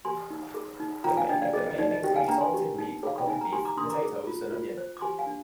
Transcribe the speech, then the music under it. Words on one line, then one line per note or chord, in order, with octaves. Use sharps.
The main ingredients are salted meat or corned beef, potatoes, and onion.
G4 G#5 C6
D#4
G#4
D#4
F4 G5 A#5
F5 G#5
D4 D#5 G5
D5 F5
G#4 D#5
D#5
D#4 D5
D#5
G4 D#5 G5
F5 G#5
D4 G5 A#5
G#5 C6
G4
D#4
G#4 F5
G5
D#4 G#5
A#5
G4 G#5 C6
A#5 D6
D4 C6 D#6
A#5 D6
G#4
F4
F4
C5
D6
G4 G#5 C6
F5 G#5
D4